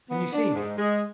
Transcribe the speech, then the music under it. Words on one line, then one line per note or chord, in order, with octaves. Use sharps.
"Can you see me?"
B3
D4
G#2
G#3